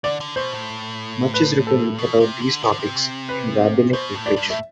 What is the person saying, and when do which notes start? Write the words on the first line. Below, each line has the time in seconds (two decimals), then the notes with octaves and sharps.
Much is written about these topics in rabbinic literature.
0.04 D3 D5
0.21 D3
0.36 B2 C5
0.53 A2
1.34 B4
1.67 A4
1.99 B2
2.20 C3
2.42 D3
2.63 C3
2.72 D3
2.79 C3
3.29 B4
3.93 B2 C5
4.15 A2
4.26 D5
4.36 G2
4.50 A2 E5